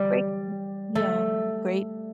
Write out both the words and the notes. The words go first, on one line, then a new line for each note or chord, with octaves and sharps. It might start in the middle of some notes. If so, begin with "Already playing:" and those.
Great, m yum, great
Already playing: G3
A3